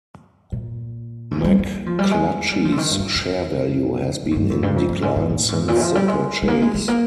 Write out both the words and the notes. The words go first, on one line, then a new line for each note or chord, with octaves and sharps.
McClatchy's share value has been in decline since the purchase.
A#2
G#2
G#3
G3
A#3
F3
G3
G#3
G3
F3
D3
D#3
G2
F2
F2
G2
F2
G2
F2
G2
F2
G2
G#2
G#2
A#2
G#2
A#2
F3
G3
G#3
G#3
A#3
G#3
G#3
A#3